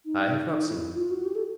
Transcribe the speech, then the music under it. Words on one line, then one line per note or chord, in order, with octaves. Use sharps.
"I have not seen him."
D#4
D#4
E4
F4
F#4
G4
A4